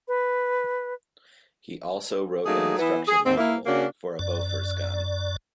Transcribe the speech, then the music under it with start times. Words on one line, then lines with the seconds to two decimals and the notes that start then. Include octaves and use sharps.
He also wrote an instruction manual for a Bofors gun.
0.08 B4
2.46 F#3 A3 A#3 D#4 G#4
2.78 E3 B3
3.08 G#4
3.26 D#2 G#2 C4
3.37 A#3 E4
3.66 C#3 A#3 C#4 D4 F#4
4.19 F#2 D5